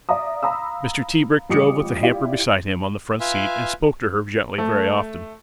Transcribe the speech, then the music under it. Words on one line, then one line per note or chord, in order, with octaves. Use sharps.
Mr. Tebrick drove with the hamper beside him on the front seat, and spoke to her gently very often.
D5 E5 F5 A#5 D#6
F5 A#5 B5 D#6 E6
A1 F3 G3 D6 D#6 C#7
E4 F4 G4 D5
F4 B4 E5 F5 G#5
A3